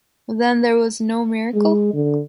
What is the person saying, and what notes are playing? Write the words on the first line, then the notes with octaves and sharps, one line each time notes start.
Then there was no miracle?
G#3
D3